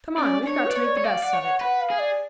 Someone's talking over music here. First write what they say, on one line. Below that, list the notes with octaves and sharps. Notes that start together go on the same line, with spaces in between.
"Come on; we've got to make the best of it."
C#4 D5
C#4
D4 C#5
B4 D5
C#5
D5
C#5
D5 F5
D5 F#5
C#5
F#5
B4 F#5
F5
G#4
D5